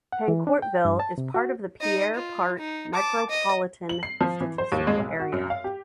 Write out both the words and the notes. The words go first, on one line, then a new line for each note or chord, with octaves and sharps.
Paincourtville is part of the Pierre Part Micropolitan Statistical Area.
F#5
E3
D4
G5
G2
A5
C3
F#4
D#4 D#5
F4
D#4
A5 D6
D#5
F#7
C7
F3
E3
C5
D#2
G#3
B1
F#4
F#2
F5
G4